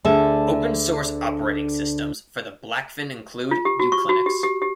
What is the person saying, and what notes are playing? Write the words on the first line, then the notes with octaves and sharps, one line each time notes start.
Open-source operating systems for the Blackfin include uClinux.
D2 D3 G#4 A4 E5
F4
G4
F#4
C#6
F#4
G4
G4
G4